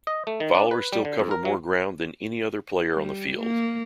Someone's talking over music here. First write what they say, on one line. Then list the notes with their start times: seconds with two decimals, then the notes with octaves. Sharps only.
Followers still cover more ground than any other player on the field.
0.07 D#5
0.27 A3
0.40 D#3
0.55 D4
0.71 B4
0.93 G3
1.05 D3
1.19 F2
1.31 A#4
1.45 F#3
2.94 G3
3.40 A#3